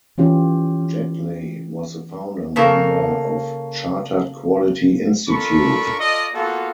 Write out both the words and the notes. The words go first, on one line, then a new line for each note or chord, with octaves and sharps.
Jetley was the founder member of Chartered Quality Institute.
E3 C#4 F4 G4
C#3 A#3 A4 A#4
D4 F4 A4 A#4 B5 C#6
F4 A4 D5 D#5
A#3 B3 F4 F#4 A4